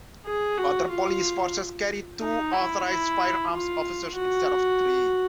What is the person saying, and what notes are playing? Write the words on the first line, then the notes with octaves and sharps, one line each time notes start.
Other police forces carry two Authorised Firearms Officers instead of three.
G#4
F#4
F4
D#4
E4
E4
F4
F#4